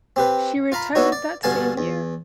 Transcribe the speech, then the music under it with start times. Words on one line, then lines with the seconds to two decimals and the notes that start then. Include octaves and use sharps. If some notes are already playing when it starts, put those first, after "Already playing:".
She retired that same year.
0.16 C4 G4 B4
0.72 F4 F5 A#5 B5
0.95 B3 D4 E4 F#4 C#5
1.12 D5
1.43 G2 B2 D3 F5 G#5 A5
1.78 E2